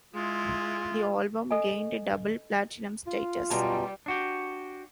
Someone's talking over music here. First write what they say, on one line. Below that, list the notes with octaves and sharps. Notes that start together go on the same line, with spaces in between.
The album gained double platinum status.
G#3 E4 F4
A4 D#5 G#5
F4
F#2 B2 G3 A5 A#5 C6
D4 F#4 G4